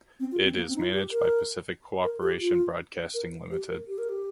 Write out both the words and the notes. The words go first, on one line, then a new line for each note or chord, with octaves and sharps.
It is managed by Pacific Cooperation Broadcasting Limited.
C4
F4
C4
A#3
C4
D#4
F4
G4
A#4
A#4
G4
F4
A#4
G4
A#4
G4
A#4
G4